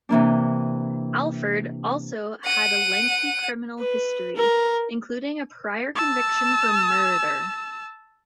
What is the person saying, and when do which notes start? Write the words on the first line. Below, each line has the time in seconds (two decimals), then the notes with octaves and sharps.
Alford also had a lengthy criminal history, including a prior conviction for murder.
0.09 C3 E3 A#3 D4
2.45 F#5 D#7
3.79 B4
4.36 A#4
5.95 A5 E6